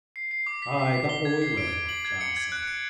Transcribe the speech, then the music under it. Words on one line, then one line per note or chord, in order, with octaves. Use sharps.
"Aye, that will we willingly," Giles said.
C7
C7
D6
B6
B6
B6
G7
G#6
C7
D7
D7
F#7
G#6
C#7
G#6
F#6
C#7